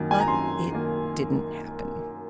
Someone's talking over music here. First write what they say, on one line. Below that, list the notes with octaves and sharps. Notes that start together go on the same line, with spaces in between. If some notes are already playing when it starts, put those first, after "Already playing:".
But it didn't happen.
Already playing: F#2 D#3 A#3
G#5
A#5
F#2 C6
D#3 A#3